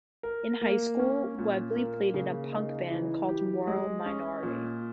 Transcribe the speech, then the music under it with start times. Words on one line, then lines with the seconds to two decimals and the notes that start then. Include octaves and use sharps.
In high school, Webley played in a punk band called Moral Minority.
0.23 A#4
0.61 A#3
0.99 C#4
1.38 A#2
1.76 A#3
2.14 C#3
2.52 D#4
2.91 E3
3.29 G4
3.67 G#3
4.06 C#4
4.43 A#2